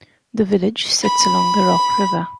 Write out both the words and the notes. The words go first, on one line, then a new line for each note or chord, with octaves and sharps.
The village sits along the Rock River.
B5